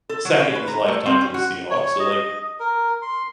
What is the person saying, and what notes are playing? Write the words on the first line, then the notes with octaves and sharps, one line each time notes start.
second in his lifetime for the Seahawks, so like
A4
F#3
C#4
B4
A#5
A3
C4
C#4
F#4
C#5
D#5
A#4
C6